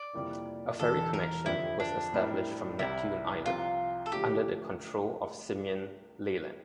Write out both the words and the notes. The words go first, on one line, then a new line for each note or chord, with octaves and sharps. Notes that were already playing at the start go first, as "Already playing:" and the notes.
A ferry connection was established from Neptune Island, under the control of Simeon Leland.
Already playing: D5
F2 C3 G3 A#3 E4
E1 E2 E3 G3 A4
A#4
F2 D3 F3 C4 E4 G4
D4
A2 G3 C4 E4 A#4
C2 C3 G3 E4
C2 C3 F3 F4
A4
D3 F3 A3 G4